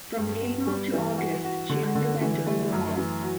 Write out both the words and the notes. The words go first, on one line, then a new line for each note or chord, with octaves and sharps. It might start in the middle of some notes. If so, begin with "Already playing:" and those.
From April to August, she underwent overhaul.
G2
B3
G3
E3
F#4
F#4
D3
D3
E3
A3
F#2
E3
F#3